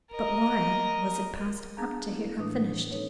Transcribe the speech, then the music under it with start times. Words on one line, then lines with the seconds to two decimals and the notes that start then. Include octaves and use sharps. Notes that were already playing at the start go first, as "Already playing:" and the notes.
But why was it passed up to her unfinished?
0.11 A#4 D#5
1.77 B3 D4 G#4 F5 A5 A#5
2.15 E4
2.38 A2 E3 A3 D4 B4 D#6
2.91 C4 C#4 D#4 A4 B4 C#5